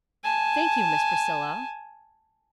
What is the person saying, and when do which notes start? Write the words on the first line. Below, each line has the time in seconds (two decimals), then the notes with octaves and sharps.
"Thank you, Miss Priscilla."
0.23 G#5 A5